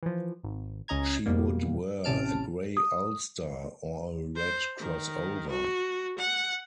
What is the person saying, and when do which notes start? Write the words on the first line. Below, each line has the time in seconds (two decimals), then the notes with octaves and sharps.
She would wear a grey ulster or a red crossover.
0.03 E3 F3
0.43 G#1
0.88 C#2 C#4 D#5 A#5 G#6
1.26 F2 B2 G3 A#3
2.04 A1 C3 C#4 A5 F6 D7
2.77 D#6
4.35 C5
4.79 D#3
5.50 F#4
6.18 F#5